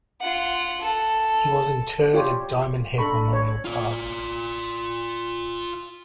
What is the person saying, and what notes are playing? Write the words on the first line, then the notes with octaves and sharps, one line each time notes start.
He was interred at Diamond Head Memorial Park.
F4 F#5
A4
F4 G4 C#5 D5 C6
D4 A4 A#5 B5 C#6
C#5
F4 D5